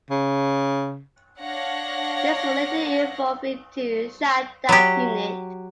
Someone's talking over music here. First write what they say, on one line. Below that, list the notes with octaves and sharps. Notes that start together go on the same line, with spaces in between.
This would later evolve into Shaldag Unit.
C#3
D4 C#5 F5 F#5 A#6
F#3 G4